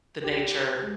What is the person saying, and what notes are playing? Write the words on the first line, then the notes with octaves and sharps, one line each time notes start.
the nature
G4
G#3